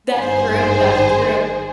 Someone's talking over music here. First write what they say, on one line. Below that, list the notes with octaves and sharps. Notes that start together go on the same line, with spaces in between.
That's true, that's true.
G#1 G2 D#3 G#4 C5